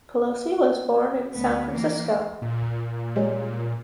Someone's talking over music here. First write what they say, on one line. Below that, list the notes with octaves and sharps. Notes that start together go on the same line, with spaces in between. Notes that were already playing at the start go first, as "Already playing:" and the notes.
Pelosi was born in San Francisco.
D2 B3
E3 A#3
A#2
G3 G#3 C#4